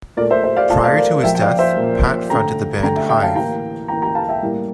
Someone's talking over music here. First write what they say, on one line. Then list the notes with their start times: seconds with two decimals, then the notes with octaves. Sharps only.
Prior to his death, Pat fronted the band Hive.
0.17 A#2 A3 A#4 D5
0.30 C5 E5
0.44 C5 E5
0.57 D5 F5
0.70 A#2 F5 A5
0.73 A3
0.84 D5 F5
0.97 A#4 D5
1.23 A#2 F3 A#3 E5 G5
1.35 G5
1.41 D5 F5
1.59 C5 E5
1.76 A#2 F3 A#3
2.29 D3 A3 G5 A#5
2.83 D3 G5 A#5
2.86 A3
2.96 E5 G5
3.09 E5 G5
3.22 F5 A5
3.35 A2 E3 A#3 G5 A#5
3.88 A2 E3 A#3 G5 A#5
4.02 G5 A#5
4.15 F5 A5
4.28 E5 G5
4.42 A2 G3 A#3